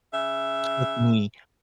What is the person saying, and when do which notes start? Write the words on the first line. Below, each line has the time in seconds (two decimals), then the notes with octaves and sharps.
took me
0.13 C#3 E5